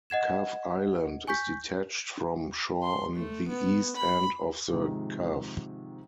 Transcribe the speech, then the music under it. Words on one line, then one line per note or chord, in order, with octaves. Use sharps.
Cove Island is detached from shore on the East end of the Cove.
D#5 F#5 G#6 E7
G#5 C#6 G6 B6
C6
A3
B3
B5
G#2 C3 D#3 F3 G#3